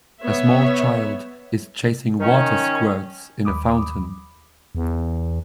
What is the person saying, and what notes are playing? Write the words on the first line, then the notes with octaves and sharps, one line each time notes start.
A small child is chasing water squirts in a fountain.
B3 C#5 E5
D#3 C#4
D#2 B5 D6 D#6
E2